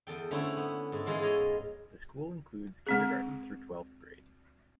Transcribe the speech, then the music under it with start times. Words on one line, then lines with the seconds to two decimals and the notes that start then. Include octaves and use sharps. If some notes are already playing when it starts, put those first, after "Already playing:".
The school includes kindergarten through twelfth grade.
0.07 E2 A4 G5
0.31 D3 A3 C4 C#4 E4
0.57 B3
0.92 G#2
1.06 E3 G#3 E4 F4
1.22 F4 C#5 D#5
2.87 G#3 C4 G#4